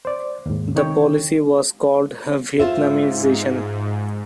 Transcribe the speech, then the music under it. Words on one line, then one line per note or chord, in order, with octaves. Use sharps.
The policy was called Vietnamization.
C5 D5
D#2 G#2
C3 D#3 D#4 C#5 G5
G#2 F4 C5 E5